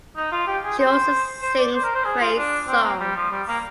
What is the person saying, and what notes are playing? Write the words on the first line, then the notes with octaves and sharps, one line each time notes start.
She also sings praise songs.
D#4
F4
G4
G#4
C5
C5
D5
C5
A#4
C5
G#4
F4
D4
C4
A#3
G3
F3
G3
A#3